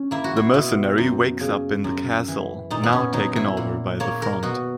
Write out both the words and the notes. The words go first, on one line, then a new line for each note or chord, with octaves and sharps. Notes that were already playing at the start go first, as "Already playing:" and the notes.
The mercenary wakes up in the castle, now taken over by the Front.
Already playing: C#4
A#3 E4
F#4
E4
B2
F#2
C#3
F#2
E3
A#2 D#4
B3
C#4
F#3 D#4
E4
A#2
A#3 C#5
A#4
B2 F#4